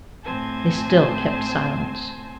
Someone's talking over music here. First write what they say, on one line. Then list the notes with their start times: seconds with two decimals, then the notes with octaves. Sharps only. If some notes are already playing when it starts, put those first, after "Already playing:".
They still kept silence.
0.23 A2 C4 C5 G#5 A5